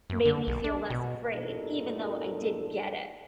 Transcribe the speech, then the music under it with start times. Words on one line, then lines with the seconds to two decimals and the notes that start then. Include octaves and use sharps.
made me feel less afraid even though I did get it,
0.10 F#2
0.25 D3
0.47 B1
0.64 D4
0.90 B2
1.33 E2 G2 A#2 D#4 A4